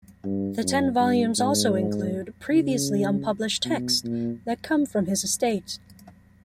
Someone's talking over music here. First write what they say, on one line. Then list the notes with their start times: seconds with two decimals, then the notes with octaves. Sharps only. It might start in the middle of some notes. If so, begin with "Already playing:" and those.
The ten volumes also include previously unpublished texts that come from his estate.
0.24 G2
0.62 F#2
1.00 G2
1.38 G#2
2.51 C#3
3.65 B2
4.04 A#2